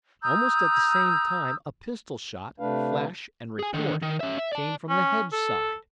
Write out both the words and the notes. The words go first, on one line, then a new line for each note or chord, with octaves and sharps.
Almost at the same time a pistol-shot, flash and report, came from the hedge side.
A#5 D#6 E6 G6
C3 A3 D4 B4 F5
G#4 G#5
D3 D#3
D#3
C#4 E5
E5
D5 A5
C#4
A4